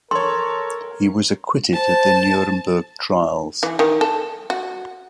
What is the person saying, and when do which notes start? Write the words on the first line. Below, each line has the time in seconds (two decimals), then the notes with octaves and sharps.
He was acquitted at the Nuremberg trials.
0.11 A4 A#4 C#5 C6
1.73 C5 A5
3.63 E3
3.79 D#3
4.01 A4
4.50 F#4